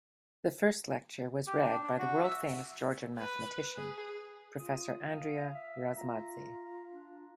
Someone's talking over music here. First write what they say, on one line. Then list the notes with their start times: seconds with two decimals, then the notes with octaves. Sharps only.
The first lecture was read by the world-famous Georgian mathematician Professor Andria Razmadze.
1.47 G4
1.64 D4
1.84 D4
1.98 F#4
2.24 E5
3.18 B4
3.77 G#4
4.59 F4 D#6
5.09 F5
5.54 E5
5.97 F4 A#5
6.90 D4